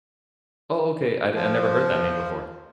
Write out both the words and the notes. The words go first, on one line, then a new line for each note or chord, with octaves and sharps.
Oh, okay, I'd I never heard that name before.
F3